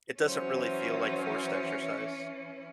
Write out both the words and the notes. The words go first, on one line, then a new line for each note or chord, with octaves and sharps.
it doesn't really feel like forced exercise.
E3 F#3 C#4 C5